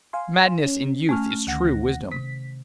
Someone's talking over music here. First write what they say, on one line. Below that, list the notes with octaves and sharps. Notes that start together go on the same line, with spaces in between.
'Madness in youth is true wisdom.
F5 G#5 C6
C#4
A3 C#4 G#5 F6
D2 D#3 F#5 A#6
C3 B6